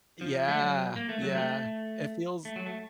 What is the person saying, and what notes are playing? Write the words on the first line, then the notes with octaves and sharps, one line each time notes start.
Yeah, yeah, it feels
F3
A3
F#3
A#3
A3
F#3
A3
A3
F#3
A3